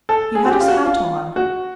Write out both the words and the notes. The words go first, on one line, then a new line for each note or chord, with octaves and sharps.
He had his hat on.
A4
G#4
F#4
G4
F4
F#4
F4
F#4